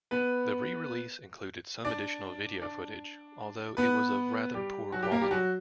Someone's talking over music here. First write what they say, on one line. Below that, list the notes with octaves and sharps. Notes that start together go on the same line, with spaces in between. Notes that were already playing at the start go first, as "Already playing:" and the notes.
The re-release included some additional video footage, although it was of rather poor quality.
B3 B4
D4 D5
D4 D5
B3 B4
G3 G4
F#3 F#4
G3 G4
A#3 A#4
G3 G4
F#3 F#4